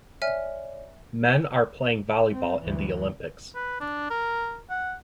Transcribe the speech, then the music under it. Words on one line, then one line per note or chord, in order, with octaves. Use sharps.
Men are playing volleyball in the olympics.
C#5 D5 E5 G#5 F6
C4
D2 E3
B4
D4
A#4
F#5